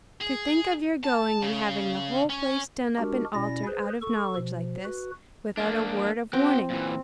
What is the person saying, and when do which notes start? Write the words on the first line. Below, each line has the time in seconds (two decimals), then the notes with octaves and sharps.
To think of your going and having the whole place done up and altered out of knowledge like this, without a word of warning!
0.21 G#4
1.03 A5
1.42 C#3
2.30 C#4
2.98 G#3 D4 F#4 G4 A#4
3.34 B2 C#4 E4 D5 A#6
3.67 G#4 B4 C5
4.02 A4 C#6
4.35 B2 F3
4.85 F#4 B4
5.57 A#3 D4
6.33 C4 F#4 G5
6.70 A#2 E3